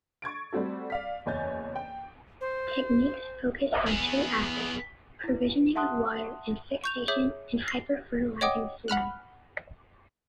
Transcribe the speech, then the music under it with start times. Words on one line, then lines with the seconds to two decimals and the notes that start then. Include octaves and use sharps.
Techniques focus on two aspects: provisioning of water, and fixation and hyper-fertilizing soil.
0.22 C#6 G#6 A6 D7
0.53 G3 A3 C4 F#4 A4
0.90 D5 F5 B6
1.26 F#1 E2 C#5 G#5 G6 A6
1.76 G5
2.41 C5
3.87 B3 G#4
5.24 E4 B4
5.75 E5 F#5 A5 C6 D#6 F#6
6.84 C#6 G6 F7
7.08 G#4 C#5 E5 D6 G6
7.68 C7
8.41 C#5 D#5 F#5 G5 D6 D#6
8.88 F#5 B5 F6 F#6